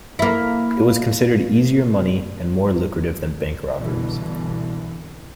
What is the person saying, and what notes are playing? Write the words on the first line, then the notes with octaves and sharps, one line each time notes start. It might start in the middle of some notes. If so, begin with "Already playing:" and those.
It was considered easier money and more lucrative than bank robberies.
A#3 E4
C2 G2 B2 D3 E3